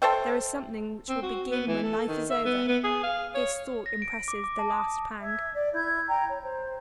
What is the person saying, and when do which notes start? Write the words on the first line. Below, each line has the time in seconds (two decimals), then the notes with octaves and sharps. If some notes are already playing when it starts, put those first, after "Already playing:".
There is something which will begin when life is over; this thought impresses the last pang.
0.02 A4 C5 E5 G5
1.09 C4
1.22 F#4
1.51 B3
1.67 E3
1.83 A4
2.08 D#3
2.30 E5
2.45 B3
2.68 B3
2.84 G#4
3.03 F5
3.35 C#5
3.86 A#6
4.02 D7
4.28 D6
4.44 D6
4.59 A5
4.70 D#6
5.22 E5 G#6
5.54 D5
5.74 E4 G6 G#6
6.06 G5 A#5
6.28 C#5
6.42 C5